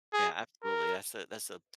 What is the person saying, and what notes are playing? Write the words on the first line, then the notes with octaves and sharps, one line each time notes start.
Yeah, absolutely that's a that's a
G#4
A#4